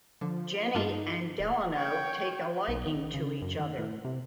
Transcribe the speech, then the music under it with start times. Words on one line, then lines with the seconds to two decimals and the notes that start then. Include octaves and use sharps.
Jenny and Delano take a liking to each other.
0.21 D3 F3
0.75 G2 D4 D#4 F4
1.40 D1
1.75 C#5 G5
2.68 B1
2.86 D#3
3.14 C#3
3.42 F#2
3.60 D#3
3.78 A2
4.05 C3